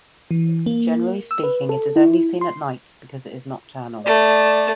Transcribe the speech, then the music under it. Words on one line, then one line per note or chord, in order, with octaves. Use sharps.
Generally speaking it is only seen at night, because it is nocturnal.
E3
A#3
E6
B4
A4
E4
C6
A3 D5